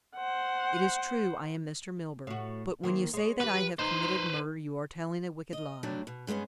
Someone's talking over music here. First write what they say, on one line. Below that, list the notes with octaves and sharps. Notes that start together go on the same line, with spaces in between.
"It is true I am Mr. Milburgh, but when you say that I have committed murder you are telling a wicked lie."
C5 F#5
A2 F#4
D#3 A#3 C5
G#3 C#5
E3 G4 B4
D#4 B4 C5
D#5
G2 D3 F#3 G3 A3 D4
B2
G2 G#3 A#3 B3 C#4